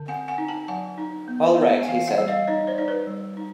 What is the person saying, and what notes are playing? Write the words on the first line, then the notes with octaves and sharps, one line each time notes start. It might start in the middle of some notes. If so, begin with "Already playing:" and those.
"All right," he said.
Already playing: D3
C4 F#5 G#5
F#5 G#5
D#4
G5 A5
F#3 F#5 G#5
D#4
B3
B3
G#5
E3 F5 G5
E5 F#5
G3
D#5 F5
D#4 C#5 D#5
C5 D5
D#4 D5
B4 C#5
G3
D#4